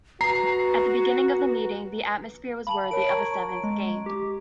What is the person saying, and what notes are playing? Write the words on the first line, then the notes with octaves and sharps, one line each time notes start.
At the beginning of the meeting the atmosphere was worthy of a seventh game.
F#4 B4 A#5 C7
F5 A5 B5 F#7
A#4 C#5 A5 D7
A#5 C#6 G#6
G#3
G4